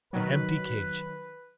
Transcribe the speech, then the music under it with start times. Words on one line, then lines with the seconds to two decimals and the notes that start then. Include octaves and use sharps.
An empty cage!
0.13 D#3 F#3 B4